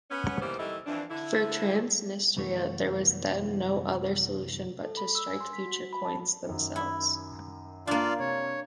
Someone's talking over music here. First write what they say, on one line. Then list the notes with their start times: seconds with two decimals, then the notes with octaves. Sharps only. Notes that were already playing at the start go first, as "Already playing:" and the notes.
For Transnistria there was then no other solution but to strike future coins themselves.
0.11 B3 C#4
0.41 D#2 E3 G3 A#3 B3 C5
0.59 D#3 E3 G3 E4 A4 D#5
0.87 F2 E3 D4
1.10 D3 E4
2.37 C2 F#2 E3 A3 B3 C#5
4.84 A4
4.97 B5
5.15 E6
5.27 G#5
5.41 C6
5.53 B6
5.66 F#4
5.93 B5
6.04 A5
6.47 F#2 D#3
6.76 E4
7.87 A#3 D4 F4 D5 F5
8.19 C3 C#5